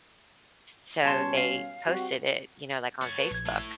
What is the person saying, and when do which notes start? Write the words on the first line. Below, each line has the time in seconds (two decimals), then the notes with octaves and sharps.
so they posted it, you know, like on Facebook,
1.03 B2 G3 C#4 C#5 A5 C6
1.37 F5
1.87 G3 C4 F#4
3.01 C#5 A5
3.19 B4
3.31 A#1 G#6
3.46 A3 E4